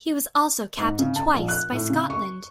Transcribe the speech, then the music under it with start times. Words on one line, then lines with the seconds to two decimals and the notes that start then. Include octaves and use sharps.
He was also capped twice by Scotland.
0.77 G#2
0.99 C#3
1.16 A5
1.34 A#1
1.48 F#6
1.72 A2
1.90 C#3
2.10 C#6